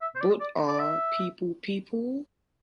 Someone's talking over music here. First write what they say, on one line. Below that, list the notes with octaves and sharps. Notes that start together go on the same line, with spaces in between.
Both Are People People?
E5
C5
D5
D5
D5
E5